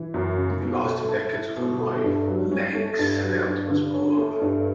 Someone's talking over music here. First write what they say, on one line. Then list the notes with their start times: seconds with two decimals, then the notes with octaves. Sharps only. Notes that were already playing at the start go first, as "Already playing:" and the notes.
In the last two decades of her life, Lange's health was poor.
Already playing: E3
0.14 F#2
0.38 C#3
0.62 B2
0.85 A3
1.09 A4
1.33 E4
1.56 B2
1.80 A3
2.04 G2
2.28 F#3
2.52 C#4
2.75 A3
2.99 G2
3.22 F#3
3.46 G2
3.70 D3
3.94 C#4
4.17 A3
4.42 G2